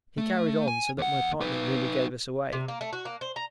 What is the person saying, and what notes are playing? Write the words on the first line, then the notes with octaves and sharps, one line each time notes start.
He carried on so that my partner nearly gave us away.
A3
G#5
D#2 F#5
D#4 B4
C3
A#3
A3
F#4
A#3
C5
A#5